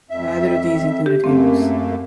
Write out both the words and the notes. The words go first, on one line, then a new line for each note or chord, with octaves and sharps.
Neither of these included hymns.
F2 E5
G4
F#2 A3 A#3 C4